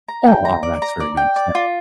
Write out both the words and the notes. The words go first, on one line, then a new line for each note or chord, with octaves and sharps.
Aww, that's very nice, thank
A#5
G5
A#5
D5
A#5
D5
G5
D5
F4